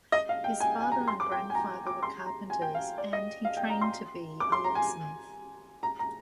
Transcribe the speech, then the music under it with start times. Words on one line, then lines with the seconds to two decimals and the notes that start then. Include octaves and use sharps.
His father and grandfather were carpenters, and he trained to be a locksmith.
0.12 D#5
0.29 F5
0.44 G5
0.60 G#5
0.81 G#5
0.92 A#5
1.08 C6
1.20 D6
1.32 G5
1.50 G#5
1.55 A#5
1.87 D6
2.03 C6
2.26 A#5
2.50 G#5
2.62 G5
2.75 F5
2.98 D5
3.13 D#5
3.45 F5
3.57 G5
3.70 A#5
3.82 C6
4.40 D6
4.52 C6
4.64 A#5
4.75 G#5
5.83 A#5
5.99 A#5